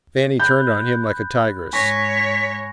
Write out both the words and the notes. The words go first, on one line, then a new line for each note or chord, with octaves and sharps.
Fannie turned on him like a tigress.
B5 F#6 G6
G#2 C#5 G#5 C#6 A#6 B6